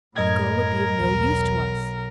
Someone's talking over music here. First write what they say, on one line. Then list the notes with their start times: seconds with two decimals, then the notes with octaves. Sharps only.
A girl would be of no use to us.
0.16 F#2 A2 A#4 D#5 G#6
1.00 B1 E2